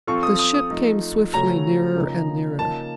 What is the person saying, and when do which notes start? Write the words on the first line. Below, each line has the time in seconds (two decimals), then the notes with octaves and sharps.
The ship came swiftly nearer and nearer.
0.07 F3 C4 F4 A4 C#6
0.23 D#6
0.39 D#6
0.54 D#6
0.70 F3 A3 D#4
1.33 C#3 F#3 A3 C#4 A4 A#5
1.96 C#3 F3 A#3 D#4
2.59 C#3 F3 A#3 D#4 A5